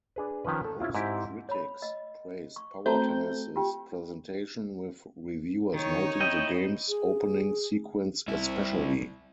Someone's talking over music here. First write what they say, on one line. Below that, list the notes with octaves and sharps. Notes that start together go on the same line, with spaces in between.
Most critics praised "Power Tennis"s presentation, with reviewers noting the game's opening sequence especially.
D4 G#4 B4
D#3 F3 C#4 B4
A4
C#4 E4 F4
G#2 C4 E4 G4
C#5 B5
D#5
C#6
A3 C4 F#4 A5 A#5 G6
F4 G4 G5
D#3 D#4 C#5
E4 D#5 G5
G#4
C2 E4